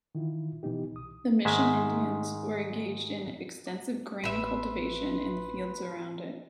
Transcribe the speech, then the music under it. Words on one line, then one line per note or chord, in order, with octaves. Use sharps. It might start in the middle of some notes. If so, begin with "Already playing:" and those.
The Mission Indians were engaged in extensive grain cultivation in the fields around it.
D#3 E3 E4 F4
B2 E3 B3 D#4 G4
C2 D#6
G#2 D#3 G#3 E5
A1 B4 E5 B5 C6